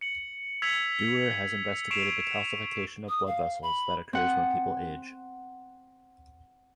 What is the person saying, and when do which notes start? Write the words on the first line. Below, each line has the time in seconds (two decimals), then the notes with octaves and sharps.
Duer has investigated the calcification of blood vessels that occurs when people age.
0.01 C#7 F#7
0.62 E6 G#6 B6 C#7 F7 F#7
1.91 C#6 C7 D7 E7 F7
3.09 D#6
3.27 F5
3.63 B5
4.13 C4 F#5